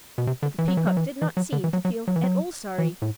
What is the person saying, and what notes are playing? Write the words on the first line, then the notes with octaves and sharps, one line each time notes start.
But the Peacock did not seem to feel at all sorry.
B2
C3
D3
E3
F#3
E3
F#3
E3
E3
F#3
D3
E3
F#3
F#3
F#3
E3
F#3
E3
A2